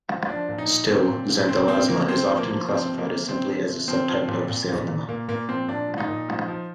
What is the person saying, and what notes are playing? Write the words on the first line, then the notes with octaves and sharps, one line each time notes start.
Still, "xanthelasma" is often classified simply as a subtype of "xanthoma".
F3
F3 D4
A#2
D#4
A#2
F3 C4
A#2
A#2
C3 C4
F3 C4
C3 A#3
F3 C4
F3
A#3
F3
F3 C4
C3
A#3
C3
F3 C4
F3
C3
F3 C4
F3
A#2
A#2
A#2
A#2
A#2 A#3
A#2 A#3
F3 C4
A#2 D4
F3
D#4
A#2
F3
F3